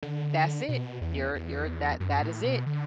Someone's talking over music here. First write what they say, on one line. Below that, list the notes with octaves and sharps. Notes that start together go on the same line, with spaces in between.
That's it. You're you're that that is it.
D3
B2
E2
E2
F#2
A2
B2
D3